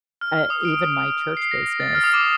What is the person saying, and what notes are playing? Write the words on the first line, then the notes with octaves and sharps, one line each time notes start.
uh, even my church business.
F6
D#6
D7
C7
A#6
A6
F6
D#6
D6